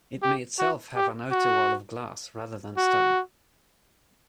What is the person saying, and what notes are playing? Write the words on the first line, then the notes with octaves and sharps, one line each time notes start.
It may itself have an outer wall of glass rather than stone.
G4
F#4
G4
F#4
F#4